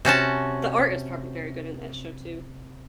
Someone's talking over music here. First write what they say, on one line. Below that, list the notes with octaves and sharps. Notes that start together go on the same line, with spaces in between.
the art is probably very good in that show too,
C3 C#4 F#4 A5